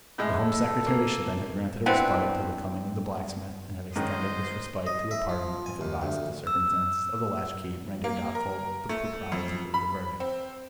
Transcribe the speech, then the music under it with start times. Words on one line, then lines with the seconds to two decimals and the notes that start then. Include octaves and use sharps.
The Home Secretary should then have granted a respite till the coming of the blacksmith, and have extended this respite to a pardon, if advised that the circumstances of the latch-key rendered doubtful the propriety of the verdict.
0.18 A2 G#3
0.41 A4
0.87 A#3
1.86 D3 E3 B3 C4
3.96 G#2 D#3 C#4 C5 D#5
4.87 D#5
5.11 E5
5.29 F3
5.66 G#5
5.81 D#2
6.02 D2
6.47 E6
8.04 A#3
8.35 A#4
8.89 A3
9.32 F2
9.74 B5
10.20 C4